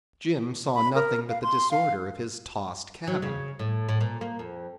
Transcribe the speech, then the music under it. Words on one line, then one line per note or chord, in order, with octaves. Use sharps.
Jim saw nothing but the disorder of his tossed cabin.
B5
A#4
F5
C6
F5
F#3
C#3
A2
A2
A#2
A#3
F2